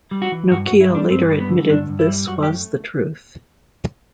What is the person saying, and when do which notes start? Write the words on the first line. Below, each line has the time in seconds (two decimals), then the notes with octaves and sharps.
Nokia later admitted this was the truth.
0.11 G3
0.22 F#4
0.32 E3
0.51 G2 F#4
0.66 F#4
0.71 G2
0.81 E4
0.90 G3 D4
1.10 G2 C4
1.29 G3
1.40 B3
1.49 D3
1.69 G2 D4
1.89 G2
1.99 E4
2.08 G3
2.28 F#2 F#4
2.43 G4
2.47 A3